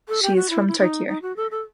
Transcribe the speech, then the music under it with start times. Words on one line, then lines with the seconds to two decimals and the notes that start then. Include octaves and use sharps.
She is from Tokyo.
0.08 A4
0.22 G4
0.36 F#4
0.50 E4
0.68 E4
0.79 D#4
1.08 D#4
1.22 F#4
1.36 A4
1.51 A4